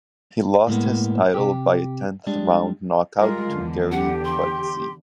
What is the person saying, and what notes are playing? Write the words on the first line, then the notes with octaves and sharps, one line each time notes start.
He lost his title by a tenth-round knockout to Gerrie Coetzee.
A2 G#3 A#3 B3
C3 G4
G3 G#3 D4
G3 G#3 F4 A#4
E2 D3
G4 F#5
C6